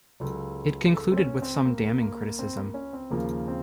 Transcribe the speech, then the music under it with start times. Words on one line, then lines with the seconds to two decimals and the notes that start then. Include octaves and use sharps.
It concluded with some damning criticism.
0.20 C#2 C#3 F#3 A4
0.94 A4
1.12 C4
1.17 C#4
1.42 C4
1.65 A#3
2.02 A#3
2.39 C4
2.57 A#3
2.74 C#4
2.93 C4
3.10 D#2 C#3 F3 A#3
3.48 C4